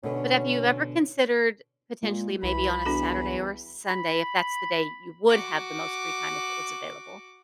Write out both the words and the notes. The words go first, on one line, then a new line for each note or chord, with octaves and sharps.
But have you ever considered, potentially, maybe on a Saturday or a Sunday, if that's the day you would have the most free time, if it was available,
B2 D3 C#4 B4
A#2 G#3
C2 E3 B5
E2 D4 F#4 A4
B5
F#4 D6